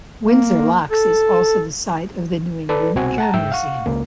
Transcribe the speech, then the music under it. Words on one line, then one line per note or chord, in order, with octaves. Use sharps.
Windsor Locks is also the site of the New England Air Museum.
A#3
A4
A4 B4 D5
C2 B2 C4 F#4 G#5
F#5 A5 A#5
G#2 E5 G5 E6 G6
F5 F#5 C#6
C#2 A#3